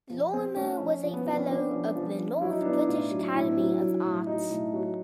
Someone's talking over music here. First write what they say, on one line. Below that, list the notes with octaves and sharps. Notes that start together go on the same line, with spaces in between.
Lorimer was a fellow of the North British Academy of Arts.
F3
C4
A3 C#4
F3
F3
B3
F3 C4
C#4
F3 D4
F3
F3
F3
F#3 E4
D#4
B3 D4
D#4
A2 F4
F#3
A2 E4
F#3
F#3
A2
F#3 D#4
A2
F#3